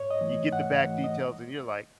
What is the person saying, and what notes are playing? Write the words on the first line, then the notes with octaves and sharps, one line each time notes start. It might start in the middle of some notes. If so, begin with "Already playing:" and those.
you get the back details and you're like,
Already playing: G#2 C#5
D#5
E3 A3
G#2 F#5
E3 A3
D#5